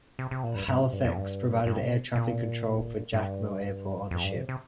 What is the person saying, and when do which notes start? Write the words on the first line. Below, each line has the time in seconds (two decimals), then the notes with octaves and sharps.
"Halifax" provided air traffic control for Jacmel Airport on the ship.
0.19 C3
0.31 C3
0.43 A#2
0.56 G2
0.68 G2
0.80 C3
0.93 G2
1.05 F2
1.17 G2
1.66 G2
1.83 C3
2.15 A#2
3.13 G2
4.11 F2
4.24 G2
4.36 C3
4.49 C3